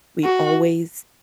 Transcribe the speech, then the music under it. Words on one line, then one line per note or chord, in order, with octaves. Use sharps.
we always,
F#4